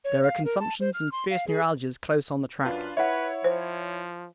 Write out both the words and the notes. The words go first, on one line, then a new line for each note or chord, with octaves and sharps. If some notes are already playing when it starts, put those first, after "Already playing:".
There are consumptions and fierce neuralgias close on the track.
C#5
F5
A#4
A5
C5
F6
C6
F5
G#4
F#2 D4 F4 B4
E4 B4 C#5 E5 F#5
F3 C5